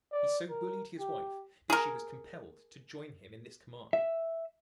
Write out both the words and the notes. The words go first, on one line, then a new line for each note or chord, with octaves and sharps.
He so bullied his wife that she was compelled to join him in this command.
D5
A#4
G4
G#4 A#4
E5